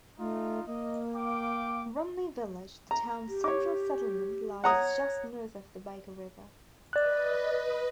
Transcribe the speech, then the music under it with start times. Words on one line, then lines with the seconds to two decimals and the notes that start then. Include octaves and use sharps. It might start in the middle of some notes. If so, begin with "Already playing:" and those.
Rumney village, the town's central settlement, lies just north of the Baker River.
0.19 A3 D#4 F4
0.67 A#3 D#5
1.15 F5 G5 D6
2.91 A#5
3.28 G4
3.44 C#5 D6
4.64 C#5 F#5 A#5 D#6
6.93 B4 D5 D#5 F#6